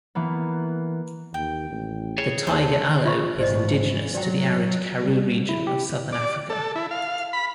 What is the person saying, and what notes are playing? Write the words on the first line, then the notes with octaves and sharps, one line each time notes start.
The tiger aloe is indigenous to the arid Karoo region of southern Africa.
E3 A#3 B3
D#2 G5
A1
G#4 C#5
D#2 C5 A5 C6
F4 E5 C#6
G#1 E3 C5 D5 D#5
F#3 D5 G5
G3
E4
G4
D5
A4
E4
F5
B5